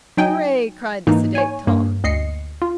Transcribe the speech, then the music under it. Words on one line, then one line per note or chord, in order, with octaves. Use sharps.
"Hooray," cried the sedate Tom.
F#3 D#4 G5 G#5
G#2 E3 A#3 D#4
C#5 G#5
G2 A#3
D2 D#5 C7 C#7
F4